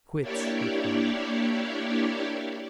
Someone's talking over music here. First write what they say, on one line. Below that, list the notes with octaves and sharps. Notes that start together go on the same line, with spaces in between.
"Quits!" he cried.
A#3 D4 E4 G4 C#5 D5